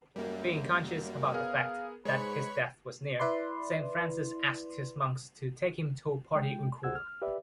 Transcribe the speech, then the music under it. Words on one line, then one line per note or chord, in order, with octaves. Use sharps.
Being conscious about the fact that his death was near, St Francis asked his monks to take him to Portiuncula.
F#2 G3 A#3
B3 G#4 A#4 F5
G#2 G#3 B4 C#5 B5 C#6
E4 B4 D5 C6
G#3 G5
C#2 G#4 C5 F#5 E6 G#6
F6
G4 B4 D5 E5